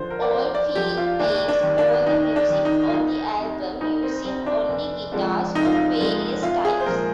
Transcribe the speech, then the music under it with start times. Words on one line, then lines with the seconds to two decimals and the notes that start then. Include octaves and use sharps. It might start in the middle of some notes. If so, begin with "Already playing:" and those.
Oldfield plays all the music on the album, using only guitars of various types.
Already playing: D3 F3 C5
0.10 A#4
0.22 D5
0.32 F2 C5
0.55 D5
0.75 D3 F3 G4
0.98 F4
1.19 D#2 D4
1.48 D4
1.63 D#3 G3
1.78 D4
2.06 D#2 D#4
2.36 D4
2.50 D#3 G3
2.65 D#4
2.88 F4
2.94 D2 D#4
3.37 C3 G3
3.81 D2 D#4
4.03 C4
4.25 C3 G3 C4
4.46 D4
4.68 F1
5.12 F2 D3 F3 G#3
5.55 F1 D#4
5.65 F4
5.76 D#4
5.99 F2 D3 F3 G#3
6.42 C2 F4
6.65 G#4
6.80 C5
6.86 A#2 F3 G#3 A#4